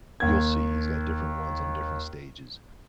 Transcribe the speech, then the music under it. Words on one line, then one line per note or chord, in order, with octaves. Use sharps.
You'll see, he's got different ones on different stages.
D#2 G#6